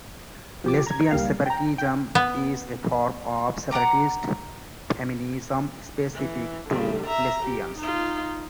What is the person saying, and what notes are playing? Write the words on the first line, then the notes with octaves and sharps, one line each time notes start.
Lesbian separatism is a form of separatist feminism specific to lesbians.
F3 G4 D6
A#5 G#6
C#2 G3 A#3 F5
G5 A#5
G5
B3
F#5 G5 A#5 D6
E3
D3 G3
E5 A#5
G4
D#4 F4